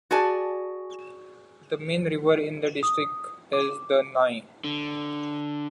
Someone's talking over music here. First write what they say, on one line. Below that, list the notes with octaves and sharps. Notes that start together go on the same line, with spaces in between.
The main river in the district is the Nahe.
F#4 G#4 D5 G#5 A5
D#6
D6
D3